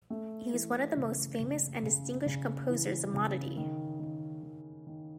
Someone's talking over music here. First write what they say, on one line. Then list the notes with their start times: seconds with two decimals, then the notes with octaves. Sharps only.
He was one of the most famous and distinguished composers of monody.
0.10 A3
0.53 E3
0.97 C#3
1.40 C#3
1.83 C#3
2.26 C#3
2.70 E3
3.14 C#3
3.57 D#3
4.00 D#3
4.43 D#3
4.87 D#3